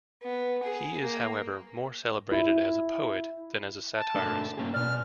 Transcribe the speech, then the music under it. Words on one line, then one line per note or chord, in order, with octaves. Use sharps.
He is however, more celebrated as poet than as a satirist.
B3
G#4
A#3
E4
A5
A3 D4 A#4
A#3 C#4 G#4
B2 D5 F6